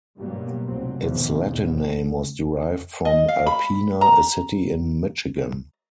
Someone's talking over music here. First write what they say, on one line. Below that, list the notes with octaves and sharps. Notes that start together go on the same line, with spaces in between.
Its Latin name was derived from Alpena, a city in Michigan.
A1 G2 B2 F#3 G3 A#3
F1 C2 F#2 A#2 F#3 C4
G#1 E2 B2 D#3 F3
E2
D#5
F5
B5
A#5